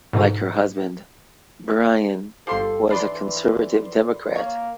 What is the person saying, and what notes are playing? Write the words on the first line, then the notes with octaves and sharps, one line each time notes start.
Like her husband, Byron was a conservative Democrat.
G#2 B2 D3
G1 F3 G4 A4 C6
E3 D4 B4 D5 C6
A#3 C#5